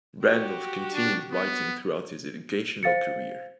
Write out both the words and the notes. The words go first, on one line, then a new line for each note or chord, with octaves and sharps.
Randolph continued writing throughout his educational career.
F#4 G4
D4
B3
C5 F5 A6 C#7